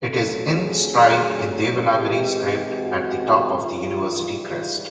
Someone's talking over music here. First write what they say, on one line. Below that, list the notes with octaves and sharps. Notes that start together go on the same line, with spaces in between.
It is inscribed in Devanagari script at the top of the university crest.
F2 D3 F#3 A3 A4
G#4
C3 E3 G#3 G4
F#4
G#2 E3 G3 F4
F4